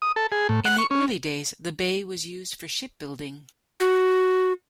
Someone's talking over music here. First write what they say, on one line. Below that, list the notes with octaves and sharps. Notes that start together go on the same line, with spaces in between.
In the early days, the bay was used for shipbuilding.
D#6
A4
G#4
A2
F#5
C#6
C#4
F#4